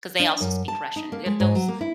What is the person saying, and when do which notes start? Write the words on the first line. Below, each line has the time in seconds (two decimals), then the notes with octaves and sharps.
'cause they also speak Russian, and those
0.20 D4
0.40 F#2
0.68 A5
0.96 D#4
1.12 A#3
1.26 G#3
1.40 G#2
1.55 F#3
1.68 A#3
1.81 E4